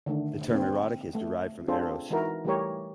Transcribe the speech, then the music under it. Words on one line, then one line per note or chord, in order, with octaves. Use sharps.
The term "erotic" is derived from "eros".
D3 D#3 A3
A#3 C4
A3
C4 D4 F4 G#4 A4 C5
E3 G#3 D#4 E4 F#4 A#4
E3 G3 A3 G4 A#4 C#5